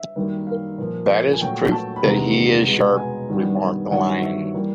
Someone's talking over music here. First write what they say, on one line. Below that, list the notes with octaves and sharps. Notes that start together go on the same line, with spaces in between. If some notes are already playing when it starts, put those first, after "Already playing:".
"That is proof that he is sharp," remarked the Lion.
Already playing: E5
F#2 D#3 G3 A#3
F5
A#2 F3 A#3
G#5
A#2 F#3 A3 G5
A5
B5
E2 C3 D#3 G#3 B3 A#5
B2 G#3 B3
G#5
G2 D#3 G3 B3
G2 D#3 F#3 F#5
E5
E3 G3 A#3